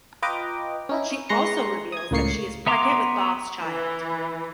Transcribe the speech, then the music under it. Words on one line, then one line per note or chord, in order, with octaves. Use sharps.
She also reveals that she is pregnant with Bob's child.
F4 B4 D#5 G5 A#5 D6
C#4 D#4 E4
G#3 B4 A#5 C6 A#6 C#7
D#6 G#6
C#2 A2 A#3 C#5 C7 C#7
B3 E5 A#5 C6 D6
E3